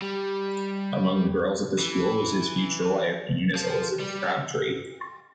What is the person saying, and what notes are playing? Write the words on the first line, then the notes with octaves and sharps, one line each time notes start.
Among the girls at the school was his future wife, Eunice Elizabeth Crabtree.
G3
E3
F3
G3